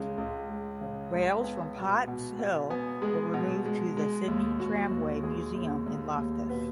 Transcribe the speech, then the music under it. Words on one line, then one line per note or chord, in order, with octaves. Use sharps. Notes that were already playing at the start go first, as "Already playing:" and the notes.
Rails from Potts Hill were removed to the Sydney Tramway Museum in Loftus.
Already playing: C#2 C#3 G#3
C#2
G#3
C#3
C#2
B3 G#5
B2
B2
B2
B3 G#5
G#3 G#4
B2
G#3
G#3
D#2
D#2 F#4
D#2
D#2 G#4
D#2
D#2
D#2
B2 B4